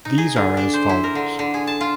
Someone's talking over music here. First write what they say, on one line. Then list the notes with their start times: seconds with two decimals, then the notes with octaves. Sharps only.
These are as follows.
0.05 D#4
0.18 G#4
0.36 D3
0.57 D4
0.73 C5
0.89 E4
1.04 A#4
1.15 D3
1.39 D3
1.54 G#4
1.67 A5
1.81 F4